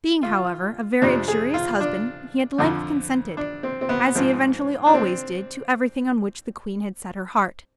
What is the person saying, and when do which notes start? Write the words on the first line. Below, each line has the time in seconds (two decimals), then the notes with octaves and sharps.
Being, however, a very uxorious husband, he at length consented--as he eventually always did to everything on which the Queen had set her heart.
0.23 F4
1.02 F2 C3 F3 D4
1.28 G#4
1.54 F4
1.80 D4
2.58 F2 D3 F3
3.37 D4
3.63 C4
3.81 C4
3.89 B3
4.15 G#2 F3 C4
4.86 D4
4.94 C4